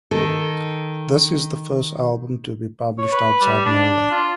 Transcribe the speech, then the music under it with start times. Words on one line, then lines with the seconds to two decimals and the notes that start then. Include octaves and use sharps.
This is the first album to be published outside Norway.
0.11 D#3 A4
2.98 C#5
3.12 B4
3.41 G3
3.65 D4
4.11 F4